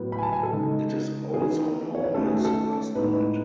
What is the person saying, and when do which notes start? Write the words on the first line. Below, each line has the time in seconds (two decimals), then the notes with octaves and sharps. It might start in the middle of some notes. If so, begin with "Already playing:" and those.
It is also known as "Last Night".
Already playing: A2 F#3 B3
0.12 B5
0.18 G#5
0.23 A5
0.33 G#5
0.43 A4
0.53 C#3 G#3 D#4
1.34 E3 B3 D#4 G#4
1.95 C#5
2.05 B4
2.14 D#3 A3 C#4 A4
2.24 G#4
2.35 F#4
2.45 A4
2.95 A2 G#3 B3 D#4 B4